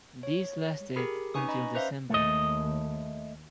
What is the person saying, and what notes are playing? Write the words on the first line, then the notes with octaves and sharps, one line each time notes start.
These lasted until December.
C#5
G4 G#4 A#4 B5
C#4 D#4 B4 G#5 C#6 D#6
D#5 A#5 B5
C#4 B4 C5 E5 F5
D#2 A3 D#5